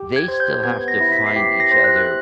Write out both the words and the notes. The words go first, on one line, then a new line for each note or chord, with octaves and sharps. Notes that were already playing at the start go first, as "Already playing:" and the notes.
they still have to find each other
Already playing: G4
G#6
C5
G6
B3 G#6
A#6
E4
B6
C7
G4 B6
A#6
C5
F#6
F#6